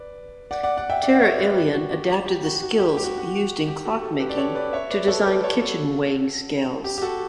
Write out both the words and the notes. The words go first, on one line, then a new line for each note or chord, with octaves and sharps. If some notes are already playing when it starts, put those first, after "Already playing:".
Terraillon adapted the skills used in clock-making to design kitchen weighing scales.
Already playing: B4 D5
D5 F#5
D5 F#5
D5 F#5
E5 G5
D5 F#5
F#5
C#5 E5
B4 D5
G4
F#4
G4
G4
G4
F#4
F#4
G4
G4
F#4
F#4
G4
F#4 A4
F#4 A4
G4 B4
D5
A4 C#5
B4 D5
C#5 E5
B4 D5
A4 C#5
B4 D5
A4 C#5
B4
F#4 A4
G4
G4
F#4 A4